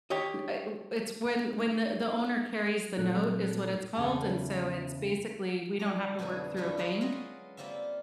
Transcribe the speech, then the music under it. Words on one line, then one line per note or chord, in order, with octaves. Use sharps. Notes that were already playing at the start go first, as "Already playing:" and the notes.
u a u it's when when the the owner carries the note is what it's called, and so it's basically we don't have to work through a bank,
G4 C#5 D#5
A#2 F#3 A3 C4 A4 F#6
E2 C#3 A4 G#5
D4 G4 A#5
F2 B2 D3 G#3 E4 A#5
E2 A3 B3 C#4 D4 E4
E4 F#4 A#4 B4 C#5 D#5
F#3 G#3 F4 B4 D#5
G3 A#3 C4 F4 E5